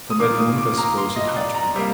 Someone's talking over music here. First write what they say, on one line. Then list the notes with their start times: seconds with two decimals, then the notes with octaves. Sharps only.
From that moment, I suppose, it had to be.
0.10 D#6
0.19 D#3 A#3 F4 D6
0.38 D#6
0.58 D6
0.78 A#5
0.97 C6
1.16 D#5
1.36 D5
1.55 A#5
1.74 C3 G3 A#3